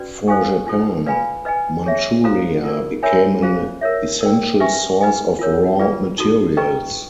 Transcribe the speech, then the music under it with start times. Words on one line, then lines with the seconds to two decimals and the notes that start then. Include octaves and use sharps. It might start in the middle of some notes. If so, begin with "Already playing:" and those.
For Japan, Manchuria became an essential source of raw materials.
Already playing: C#4 F#4 B4 D5
0.28 A4 C5 F5 G#5 C#6
0.67 D4 F4 A4
1.06 B4 D5 F5 G#5 B5
1.45 B4 D#5 G#5
1.86 G#4 C#5 E5
2.24 F#4 A4 C5 F5 A#5
2.64 F4 A#4 D5
3.03 A#4 C#5 E5 G#5 B5
3.42 F4 G#4 C5 F5
3.81 A#4 C#5 E5
4.21 A#4 D5 G5
4.60 B4 E5 G#5 C#6
5.01 B4 D#5 G#5
5.39 F4 A#4 C#5
5.79 F4 G#4 B4 D5
6.18 D#4 F#4 A4
6.57 B4 D#5 G5 A#5 C#6